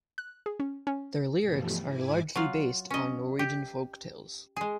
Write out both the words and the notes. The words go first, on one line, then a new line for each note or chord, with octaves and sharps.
Their lyrics are largely based on Norwegian folk tales.
F#6
G#4
C#4
C#4
G2 B2 E3 F3 G3 A3
G#2 E4 G#5 D6
F#3 F4 F5
C#4 D#5
G4
G#3 G#4